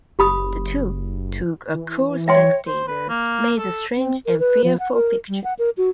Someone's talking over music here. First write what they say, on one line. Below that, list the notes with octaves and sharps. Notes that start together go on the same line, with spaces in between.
The two, to a cool spectator, made a strange and fearful picture.
F#1 G4 B5 D#6
E3
C#5 E5 G5 C6
C5
B4
A#3
A4
C4
A#4
B4
F3
F#5
A#4
G3
F#5
A#4
F#4